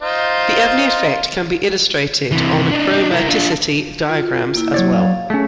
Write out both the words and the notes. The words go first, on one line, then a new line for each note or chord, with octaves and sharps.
The Abney effect can be illustrated on chromaticity diagrams as well.
D#4 F4 C5
C3 E3
D4 D#4
E4 A#4
D4 F4
F4 F#4
A#3 E4
F#3 C#5 D5
F5
A3 C#4 G#4